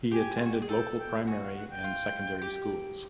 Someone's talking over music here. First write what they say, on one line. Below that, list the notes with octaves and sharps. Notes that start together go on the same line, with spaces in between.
He attended local primary and secondary schools.
G4 G#5
F4
F#4
G4
G#4
A4 G5
G5
F#4 G#5
F5
F#5
G5
F4
G4